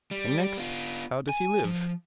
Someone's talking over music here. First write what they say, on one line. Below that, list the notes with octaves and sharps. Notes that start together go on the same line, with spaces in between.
And next, how does he live?
G3
B3 F4
G#5
F3